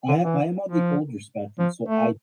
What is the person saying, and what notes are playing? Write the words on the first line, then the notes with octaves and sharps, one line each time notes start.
I I am on the older spectrum, so I
D3
E3
F3
F3
A3